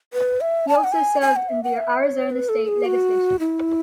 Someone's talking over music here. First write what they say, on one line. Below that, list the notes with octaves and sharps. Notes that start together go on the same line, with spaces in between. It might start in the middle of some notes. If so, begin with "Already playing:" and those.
He also served in the Arizona State Legislature.
B4
E5
A5
G#5
F#5
G#5
G#5
F#5
E5
F#5
E5
C#5
B4
A4
G#4
F#4
E4